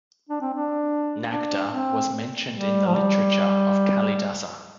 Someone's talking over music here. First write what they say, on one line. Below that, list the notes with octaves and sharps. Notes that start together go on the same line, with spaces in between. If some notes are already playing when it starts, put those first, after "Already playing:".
Nagda was mentioned in the literature of Kalidasa.
D4
C4
D4
D4
C4
G3
F3
G3